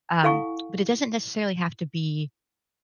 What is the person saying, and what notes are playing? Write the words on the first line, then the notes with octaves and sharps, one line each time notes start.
um, but, it doesn't necessarily have to be,
E4 A4 F5 F#5 G#5 C#6